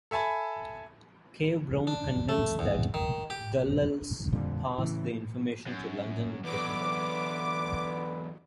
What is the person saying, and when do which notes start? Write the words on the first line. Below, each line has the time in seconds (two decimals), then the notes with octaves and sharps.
Cave Brown contends that Dulles passed the information to London in December.
0.11 A4 E5 G#5 A5 B5
1.87 D4
2.29 A3
2.59 E2
2.94 D#3
3.30 G4
4.32 F2 A#2 D3 G3
4.78 A2 C#3 E3
5.66 F#2
6.44 E2 D3 F#3 B3 B4 D6